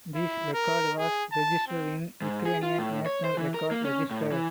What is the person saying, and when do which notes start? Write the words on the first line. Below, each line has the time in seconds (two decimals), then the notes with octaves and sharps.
This record was registered in Ukrainian National Record Register.
0.14 E4
0.54 A#4
0.99 G#4
1.32 A5
1.67 C4
2.22 G#2
2.45 G#4
2.63 F4
2.79 A2
3.06 C#5
3.24 C5
3.37 E3
3.54 A#4
3.71 A#3
3.85 C#4
4.11 A2
4.32 E3